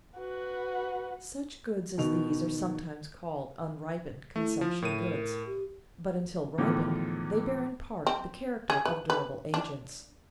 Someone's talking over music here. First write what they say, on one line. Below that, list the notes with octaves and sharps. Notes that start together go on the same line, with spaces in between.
Such goods as these are sometimes called unripened consumption goods, but until ripened they bear in part the character of durable agents.
F#4 B4
B2 D#3 D#5 F7
A3 E4
F3
A2 A#4 D#7
G4
E2 A2 D3 D#3 F3
C4
G#4
B4
B4
D4